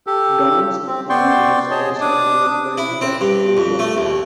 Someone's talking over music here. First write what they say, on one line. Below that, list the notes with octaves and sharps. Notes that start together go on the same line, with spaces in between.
Dawn's song was also covered by the Backstreet Boys.
G4 A4
C4
B3 D5 G5 C6 C#6
G#4 C#5 D#5 A5
D4 D6 D#6
E4
C4
G2
F2
A3
D#2